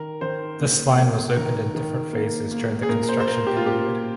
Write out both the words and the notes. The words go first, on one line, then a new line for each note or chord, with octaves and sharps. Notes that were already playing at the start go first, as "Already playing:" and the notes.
This line was opened in different phases during the construction period.
Already playing: D#3 A#4
D#3 C5
A#3
A#3
D#3 A#4
D#3
A#3
A#3
G#4
A#2 A#4
C5
C5
A#3 A#4
G4
F4
A#2 G4